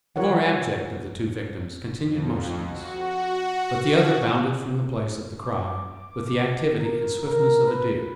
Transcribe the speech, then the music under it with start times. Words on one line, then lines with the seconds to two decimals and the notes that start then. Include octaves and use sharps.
The more abject of the two victims continued motionless; but the other bounded from the place at the cry, with the activity and swiftness of a deer.
0.16 F4 G4 A#4 C#5 F#5
1.98 F2
2.65 F#4
5.42 D6
6.78 A#4
7.25 A#4
7.66 B4